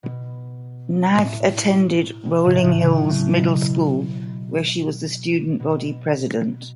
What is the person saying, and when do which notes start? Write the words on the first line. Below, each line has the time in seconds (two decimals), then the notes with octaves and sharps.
Nag attended Rolling Hills Middle School where she was the student body president.
0.03 B2
1.14 A2
2.25 B2
2.44 A2 C#3
2.62 A2 C#3
2.81 C#3 F#3
3.08 A2 C#3
3.37 B2
5.60 B2